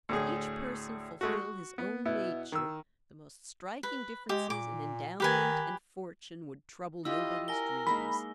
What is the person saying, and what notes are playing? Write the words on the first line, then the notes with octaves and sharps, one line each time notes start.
Could each person fulfil his own nature the most striking differences in endowment and fortune would trouble nobody's dreams.
D2 A2 G#4
G#3 A3 F#4
F#4
B3
B2 B3 E4
D#3 E6
B4
G#3 G4
A#2 D6
D#3 G4 B4 G#5
E4 F4 G4 D#5 E6
A#4 G#5 A#6 G7
G#3 A#3 D#4 B5